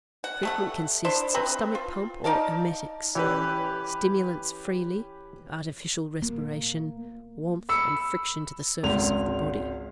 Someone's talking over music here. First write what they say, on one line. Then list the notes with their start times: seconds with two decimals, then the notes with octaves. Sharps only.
Treatment consists of stomach-pump or emetics, stimulants freely, artificial respiration, warmth and friction to the surface of the body.
0.24 F#5
0.43 G3 A3 F#5
1.05 D4 E4 C5
1.35 C4 B4
1.75 F4
2.24 D#4 D5 F5 A5
3.15 E3 C#4 G4 B4
6.22 A#3
7.69 B5 E6 C#7
8.83 G#1 C#2 F7